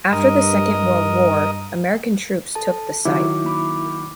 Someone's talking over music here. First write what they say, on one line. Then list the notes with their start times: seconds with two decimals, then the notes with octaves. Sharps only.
After the Second World War, American troops took the site.
0.12 G2 A#4 D#5
2.55 A4 A5
3.05 D#3 F#3 E4 D6
3.44 A#3 B5 D6